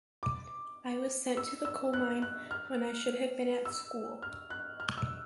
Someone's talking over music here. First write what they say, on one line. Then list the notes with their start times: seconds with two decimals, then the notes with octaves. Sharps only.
I was sent to the coal mine when I should have been at school.
0.23 D6
1.37 E6
1.65 E6
1.93 F#6
2.22 F#6
2.51 F6
3.65 E6
4.22 F6
4.50 F#6
4.80 F6
4.98 E6